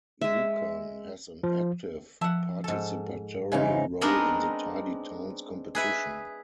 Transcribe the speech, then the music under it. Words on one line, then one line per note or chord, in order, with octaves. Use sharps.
Lucan has an active participatory role in the Tidy Towns competition.
G#3 E5
F3
F3 E5 F#5 A5 E6
G#2 A4
F2 C#3 E3 C4 D#4
G#3 B3 C4 D4 D#4 A#4
G#4 B4 E5